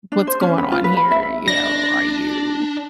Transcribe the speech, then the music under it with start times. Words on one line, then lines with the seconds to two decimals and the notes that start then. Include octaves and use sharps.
what's going on here, you know, are you
0.12 D4
0.27 C5
0.41 C#4
0.58 B4
0.72 F4
0.84 B4
0.97 B5
1.11 E5
1.48 D4 A#6